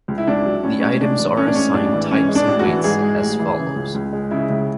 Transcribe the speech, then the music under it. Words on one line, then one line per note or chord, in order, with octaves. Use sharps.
The items are assigned types and weights as follows.
C#2
E4
C#2 D4
F#3
A2 C#4
G#3 C#4
A1 D4
E3
A2 C#4
D4
G#3 C#4
A1 D4
E3
G#2 C#4
G#3
D4
A1
F#4
E3
G#2 G#4
G#3
A1
E3
C#3
C#2
C#2
G#3
C#3 E4
C#2